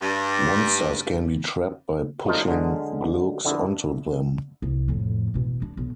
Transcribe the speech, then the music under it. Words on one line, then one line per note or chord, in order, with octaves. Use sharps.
Monsters can be trapped by pushing Glooks onto them.
G2
F3 A3 D4 D#4 F4
D3 F#3 G#3
F2 D3 E4
C2
F2 A2
B2 E3
D4
B1